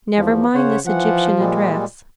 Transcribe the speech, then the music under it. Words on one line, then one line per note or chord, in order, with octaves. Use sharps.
Never mind this Egyptian address.
E2 F3
C#3 C5 C#5 F#5
E3 F3 F#5
A#2 G3 G#3